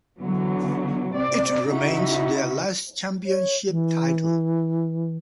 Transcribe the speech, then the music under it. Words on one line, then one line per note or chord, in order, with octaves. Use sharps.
It remains their last championship title.
D3 E3 F#3 B3
C3 C4 D5
C#3 D#4 E4 F#4
C#5
E3